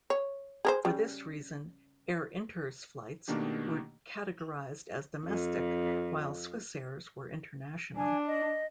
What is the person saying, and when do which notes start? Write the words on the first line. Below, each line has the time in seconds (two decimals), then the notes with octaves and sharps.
For this reason, Air Inter's flights were categorised as domestic while Swissair's were international.
0.10 C#5
0.65 G#4 A#4 C5
0.85 C#3 G3
3.28 B2 D#3 A3 A#3 D4 G4
5.25 F2
7.97 D4 G#5
8.27 D#5